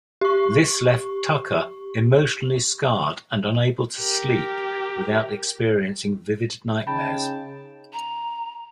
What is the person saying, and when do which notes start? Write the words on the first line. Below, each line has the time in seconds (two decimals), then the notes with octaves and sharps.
This left Tucker emotionally scarred and unable to sleep without experiencing vivid nightmares.
0.21 G4 C#6
4.00 G4 A#4
6.87 C#3 D#4 G5 A5 B5
7.93 A#5